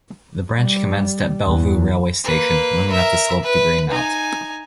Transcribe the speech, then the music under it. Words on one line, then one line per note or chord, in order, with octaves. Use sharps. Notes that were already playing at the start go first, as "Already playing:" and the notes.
The Branch commenced at Bellevue Railway Station, moving up the slope to Greenmount.
G3
E2
A#3 B4
A#4 E5
B4
D#4 G#5